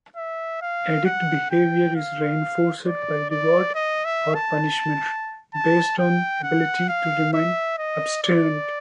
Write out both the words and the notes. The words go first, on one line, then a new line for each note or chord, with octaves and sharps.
Addict behavior is reinforced, by reward or punishment, based on ability to remain abstinent.
E5
F5
F#5
G5
F5
D5
D5
D#5
E5
A5
A5
G5
F#5
F5
E5
D#5
D5